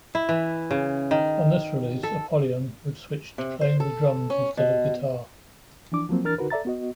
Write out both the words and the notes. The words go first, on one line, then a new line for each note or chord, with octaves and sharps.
On this release Apollyon would switch to playing the Drums instead of guitar.
E4
E3
C#3
D#3
A4
C3
C5
A4
C#4
B2
E3 F3 D4 D6
F3 F#3 A#3 C4
E3 D4 A#4 F6 A6
D3 D#4 F#4 A#4 B4
A4 D5 E5 A#5 A6
B3 F#4 D#5